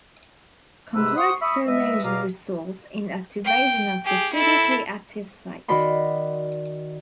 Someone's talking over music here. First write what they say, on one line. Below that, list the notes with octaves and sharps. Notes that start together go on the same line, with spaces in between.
Complex formation results in activation of the Cdk active site.
G#2 C3 G#3 B4 E6
C5 F#5 C6 C#6 D#6
E5 B5 C#6 D#6 E6
E3 G#3 D#5 E5
E2 B2 D#5 F5 A#5 D6
G5
G4 G#4
E4 A4
D#3 D#4 F#4 D5 B5 C6